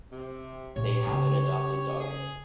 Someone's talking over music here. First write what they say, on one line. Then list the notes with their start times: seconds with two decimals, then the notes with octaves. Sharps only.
They have an adopted daughter.
0.11 C3
0.76 A#2 G4 C#5
1.07 C#3
2.01 G#4